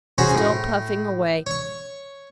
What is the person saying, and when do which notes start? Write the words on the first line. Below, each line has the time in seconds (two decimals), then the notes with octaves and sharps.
Still puffing away.
0.18 C#4 F#4 G#4 C5 G#5 A#5
0.35 A2
1.46 C#5 C#6